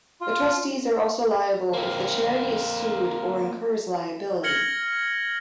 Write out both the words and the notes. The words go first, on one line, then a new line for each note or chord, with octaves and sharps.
The trustees are also liable if the charity is sued or incurs liability.
F4
A#3 C4
F6 G#6 A#6 C#7 F#7 G7